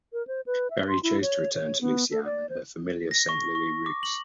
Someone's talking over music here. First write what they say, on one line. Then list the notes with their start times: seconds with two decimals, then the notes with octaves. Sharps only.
Berry chose to return to Lucy Ann and her familiar Saint Louis roots.
0.13 A#4
0.27 C5
0.46 B4
0.70 E5
0.88 C6
1.03 E4
1.22 C#5
1.54 C#5
1.81 B3
2.10 A4
2.25 D5
2.49 C5
3.11 A#6
3.29 C#6
3.55 C#6
3.86 D6
4.03 F#7